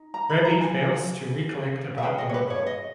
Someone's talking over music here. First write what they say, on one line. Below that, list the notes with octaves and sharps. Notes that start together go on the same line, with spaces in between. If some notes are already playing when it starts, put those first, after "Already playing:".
Ravi fails to recollect about the mobile.
Already playing: D#4
A#5
B5
A#5
G#5
E5
C#4 G#4 B4 G5
D#5
C#5
B4
C#5
D#5